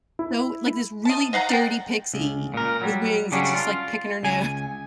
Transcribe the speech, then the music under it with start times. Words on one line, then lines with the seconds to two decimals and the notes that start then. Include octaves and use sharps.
So, like, this really dirty pixie with wings, it's just like picking her no
0.19 E4
1.05 D#5 A5
1.33 D#5 F5 F#5 A#5
1.49 D5 F#5 G5
2.14 C#2
2.54 A#2 A#4
2.81 F#3 G3
3.32 C#3 F#3 G3 C#4 D4
3.55 F4
4.23 C#2 G#5